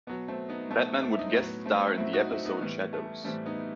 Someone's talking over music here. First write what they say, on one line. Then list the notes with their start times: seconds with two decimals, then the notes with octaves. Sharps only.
Batman would guest-star in the episode "Shadows".
0.07 B2 F#3 B3
0.28 A3 C4
0.49 B3 D#4
0.70 B2 F#3 A3 C4
1.02 A3 C4
1.12 E4
1.19 D#4
1.27 C4
1.34 A2 B3
1.39 F#3
1.65 A3 C4
1.97 F#3 C4 E4
2.00 A2
2.13 D#4 F#4
2.29 C4 E4
2.45 B3 D#4
2.61 A2 E3 G3 B3
2.93 A3
3.24 A2 E3 G3 A3 C4
3.46 B3 D#4